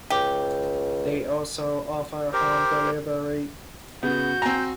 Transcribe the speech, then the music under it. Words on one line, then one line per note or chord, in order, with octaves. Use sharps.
They also offer home delivery.
C#2 G4
G4 A#4 C5
C#3 B3 F#4 G6
C4 G#5 A#5